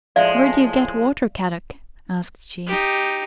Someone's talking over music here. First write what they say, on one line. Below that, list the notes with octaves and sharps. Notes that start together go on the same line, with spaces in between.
"Where do you get water, Kadok?" asked Jean.
A2 F3 G#3 D5 E5 F5
D#4 G4